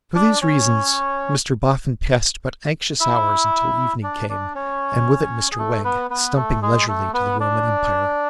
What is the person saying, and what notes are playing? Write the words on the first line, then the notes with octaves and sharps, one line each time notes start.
For these reasons Mr Boffin passed but anxious hours until evening came, and with it Mr Wegg, stumping leisurely to the Roman Empire.
D4 D5
C#4 C#5
E4 E5
D4 D5
D4 D5
C#4 C#5
G#4
A3 A4
B3 B4
B3 B4
A3 A4
G#3 G#4
A3 A4
B3 B4
D4 D5